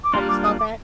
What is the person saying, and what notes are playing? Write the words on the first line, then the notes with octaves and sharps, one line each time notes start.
How do you spell that?
D6
G3 A#3 D4 F4 A#4 C6
D6
D#6
D6